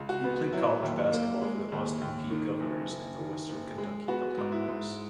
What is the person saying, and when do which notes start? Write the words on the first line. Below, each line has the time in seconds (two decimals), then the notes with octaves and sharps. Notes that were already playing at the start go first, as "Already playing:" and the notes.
He played college basketball for the Austin Peay Governors and the Western Kentucky Hilltoppers.
Already playing: C#2
0.09 F#4
0.24 B3
0.53 F#3 E4
0.83 D#2
1.12 A#3
1.42 G#3
1.72 D#2
2.01 D#2
2.30 D#3
2.60 F#1
2.90 F#1
3.19 D#3
3.49 F#1
3.78 G#3
4.08 B3 F#4
4.37 G#2
4.52 E4
4.68 G#2